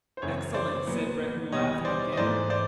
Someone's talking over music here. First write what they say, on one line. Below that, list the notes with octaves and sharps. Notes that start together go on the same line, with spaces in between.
"Excellent!" said Breton, laughing again.
C5
F#2 C#3 E3 C#5
C5 D5
A#2 F#3 B3
E2 B2 G3 C#5 D#5
C5 D5
D#5
G#2 E3 A3 C5 D5
C5 D5